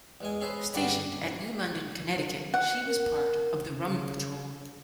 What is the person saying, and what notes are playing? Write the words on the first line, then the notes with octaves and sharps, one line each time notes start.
Stationed at New London, Connecticut, she was part of the Rum Patrol.
E2 G#3 G#5
C#4 G#4 A4 B4 C5
G2 D3 F#4 G4 D5 B5
F#5
A#4
C#3